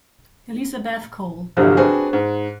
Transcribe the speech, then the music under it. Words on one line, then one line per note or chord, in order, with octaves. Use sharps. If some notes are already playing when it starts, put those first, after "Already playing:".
Elizabeth Cole.
G1 C2 G2 C3 F3 F#3
C4 D4 F#4 G#4 B4
G#2